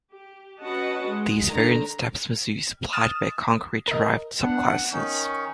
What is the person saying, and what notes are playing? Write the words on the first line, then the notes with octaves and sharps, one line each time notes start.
These variant steps must be supplied by concrete derived subclasses.
G4
C#4 F#4 B4 D#5 F#5 A5
G#3
D3 D#3 A#5
D#6 F6 A6 E7
A#4 D#5
B3 D4 F#5
D#3 C#4 D#4 C#6